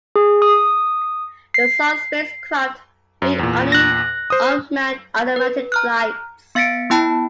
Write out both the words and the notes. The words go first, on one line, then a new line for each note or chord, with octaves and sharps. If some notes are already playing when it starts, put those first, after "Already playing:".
The Zond spacecraft made only unmanned automatic flights.
G#4
D#6
C7
F#2
E2 A#2
F#6 A#6
C5 D#6
B4
A#5 F6 F#6
B3 F5 A6 B6 C#7 D7
B3 E4 G5 A5 B5